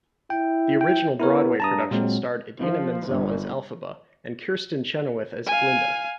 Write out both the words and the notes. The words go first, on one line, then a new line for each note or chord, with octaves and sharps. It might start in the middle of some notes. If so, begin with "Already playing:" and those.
The original Broadway production starred Idina Menzel as Elphaba and Kristin Chenoweth as Glinda.
E4 G5
G5
B3 E4 A#4 C#5
G2 A5 A#5 D#6
A#2 F#3 G#3 C4
F3
G1
F5 G#5